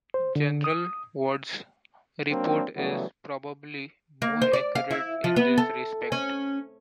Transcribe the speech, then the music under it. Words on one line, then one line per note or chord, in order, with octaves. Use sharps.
General Ward's report is probably more accurate in this respect.
C5
D3
D#6
F#3 A#3 C4 D4
C#3 E3 F#3 G3 A3 B3
A#3
C5
D5
F5
E4
F3
B3
A4
C#4